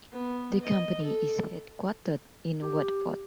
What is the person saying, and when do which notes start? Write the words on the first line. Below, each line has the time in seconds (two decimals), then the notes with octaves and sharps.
The company is headquartered in Watford.
0.12 B3
0.61 D#5
1.02 A4
2.63 G4